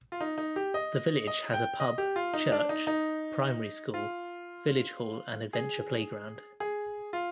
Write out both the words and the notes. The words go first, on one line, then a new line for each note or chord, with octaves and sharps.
The village has a pub, church, primary school, village hall and adventure playground.
F4
D#4
D#4
G4
D#5
D#5
G5
D#5
G4
F4
D#4
D4
D#4
D#4
F4
G#4
G#4
F4